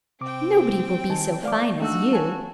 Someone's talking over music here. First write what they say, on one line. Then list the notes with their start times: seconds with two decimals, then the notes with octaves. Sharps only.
Nobody will be so fine as you.'
0.21 C3 C4 G5 D6
1.10 D#3 G#5 A5
1.43 A3 C5 D5 F5 D6
1.80 A3 D4 D#4 F#4 F5 E6
2.13 C#5 G#5 A5